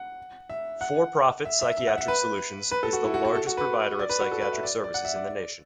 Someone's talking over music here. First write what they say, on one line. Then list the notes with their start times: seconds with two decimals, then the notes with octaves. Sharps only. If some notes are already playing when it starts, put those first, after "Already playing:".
For profit Psychiatric Solutions is the largest provider of psychiatric services in the nation.
Already playing: F#5
0.50 E5
0.81 F#5
1.45 E5
1.61 E5
1.77 E5
1.87 F#5
1.98 E5
2.08 B4
2.71 B4
2.83 A4
2.93 F#4
3.04 E4
3.14 F#4
3.24 F#4
3.35 A4
3.47 F#4
3.57 B4
3.99 D5
4.10 B4
4.20 F#4
4.31 A4
4.41 B4
4.52 E5
4.63 D5
4.84 D5
4.94 F#5
5.05 E5
5.15 D5